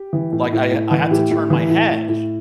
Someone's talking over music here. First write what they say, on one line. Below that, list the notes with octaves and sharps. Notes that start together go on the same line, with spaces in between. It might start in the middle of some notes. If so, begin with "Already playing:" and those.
Like I I had to turn my head,
Already playing: G4
E3
A2
A2
A2
E3
A2 G4
A2
E3
A2
A2
A2